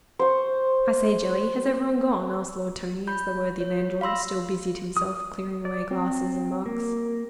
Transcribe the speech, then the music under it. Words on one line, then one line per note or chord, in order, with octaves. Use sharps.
"I say, Jelly, has everyone gone?" asked Lord Tony, as the worthy landlord still busied himself clearing away glasses and mugs.
C5 C#6
B5 G6
C#5
F5 B5 C6 E6 A#6
D#6
D5
C4
A#3